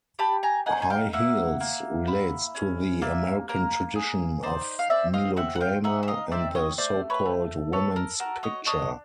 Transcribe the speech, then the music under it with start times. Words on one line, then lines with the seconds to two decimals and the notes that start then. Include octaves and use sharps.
"High Heels" relates to the American tradition of melodrama and the so-called "woman's picture".
0.19 G4 A5 B5
0.43 G#5 A#5
0.66 D#4 F#5 G#5
0.82 G#5
0.90 F5 G5
1.13 A#3 E5 F#5
1.60 A#3
2.07 E4
2.55 C#4
3.02 A#3 D5 E5
3.49 A#3 A#4
3.95 G#4
4.43 D#4 C5 D5
4.79 F5
4.90 C4 D5 E5
5.14 D#5 F5
5.37 C4 E5 F#5
5.55 F#5
5.61 F5 G5
5.84 D#4 E5 F#5
6.03 E5
6.08 D#5 F5
6.32 C4 D5 E5
6.55 C#5 D#5
6.78 A3 C5 D5
7.10 B4 C#5
7.25 A3
7.72 A4 B4 C#5
7.96 A#4
8.20 F#4 A#4
8.43 C#5 D#5
8.66 D4 C#5 D#5